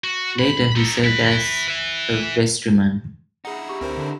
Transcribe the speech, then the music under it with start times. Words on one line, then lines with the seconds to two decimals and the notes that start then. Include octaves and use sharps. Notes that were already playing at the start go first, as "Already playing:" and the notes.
Later, he served as a vestryman.
0.04 F#4
0.39 B5
0.76 D#4 A4
1.04 E4 B4
1.68 B4 E5
3.45 D#4 E4 G#4 F#5
3.69 G4 C#6
3.81 D2 C4 A#4 C5
3.97 D3